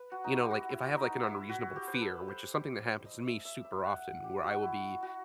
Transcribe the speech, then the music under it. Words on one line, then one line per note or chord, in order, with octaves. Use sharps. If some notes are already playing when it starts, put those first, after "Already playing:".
You know, like if I have, like, an unreasonable fear, which is something that happens to me super often, where I will be
Already playing: B4
F#4
D#4
E4
G4
F#4
E4
D#4
E4
F#4
G4
C5
B4
A4
C5
D#5
E5
E5
E5
F#5
G4
F#4
F#4
E4
F#4